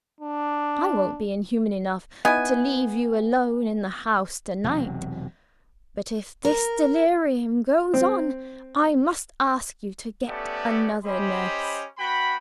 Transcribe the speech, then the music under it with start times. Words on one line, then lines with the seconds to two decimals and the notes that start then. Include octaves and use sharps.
I won't be inhuman enough to leave you alone in the house to-night; but if this delirium goes on, I must ask you to get another nurse.
0.21 D4
2.25 B3 D#4 E4 G#5
4.64 E1 C3 F#3
6.45 A#4
7.94 C4
10.27 A3 B3 C#4 G4 A4 D5
11.03 C#4 G4 C5 D#5 B5
11.97 B3 F#4 G5 B5